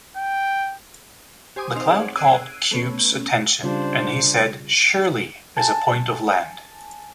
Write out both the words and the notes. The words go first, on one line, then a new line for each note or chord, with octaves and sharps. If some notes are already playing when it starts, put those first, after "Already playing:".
The cloud caught Kupe's attention and he said "Surely is a point of land".
G5
G4 C5 G#5 C6 D6 D#6
C4 D#4 C5 F7
G#4 C#5 D5 F5 F#5
E6 F#6 G#6 C7 D7 D#7
A3 B3 C#4
C#3 G3 D4 F4 C5
G#5 A5